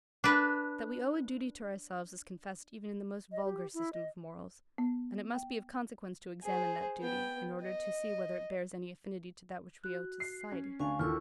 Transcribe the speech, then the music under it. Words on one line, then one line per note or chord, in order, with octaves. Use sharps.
That we owe a duty to ourselves is confessed even in the most vulgar system of morals; and it must be of consequence to examine that duty, in order to see whether it bears any affinity to that which we owe to society.
D4 B4
D#5
G4
E4
D#5
B3
G5
G#4 C5
B3 G5
D#5
F#4 F#6
C7
C#4
D2 D4 F5 G#5 C#6
D#2 E4 F4 A4 C#6 E6 F6